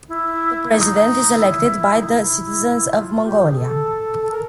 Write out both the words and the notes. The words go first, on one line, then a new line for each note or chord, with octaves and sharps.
The President is elected by the citizens of Mongolia.
E4
D#4
E4
E4
D#4
E4
F4
G4
G#4
A4
A4
A#4